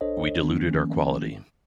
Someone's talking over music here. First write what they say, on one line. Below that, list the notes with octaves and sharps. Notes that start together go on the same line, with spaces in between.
We diluted our quality.
A#1 D4 A4 C5 C#5 D#5
D#3 A3 B3 D4
D#3 F3 A3 A#3 C#4